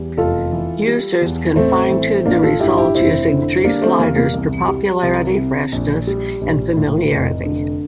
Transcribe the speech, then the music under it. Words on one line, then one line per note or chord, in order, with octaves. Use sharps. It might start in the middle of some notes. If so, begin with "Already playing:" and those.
Users can fine tune the results using three sliders for "popularity", "freshness" and "familiarity".
Already playing: E2 G3
F1 F4 A4
E3
G3
E2
A1 A3 C4
E3
A1 A#3 D4
F4 A4
G2 E4 G4
E4 G4
F1 C4 E4
D3
G3 A#3 D4
A3 C4
E2 A#3
A#3
C2
G3
C2
C3
A#1
G3
A#1
A2
F1
D3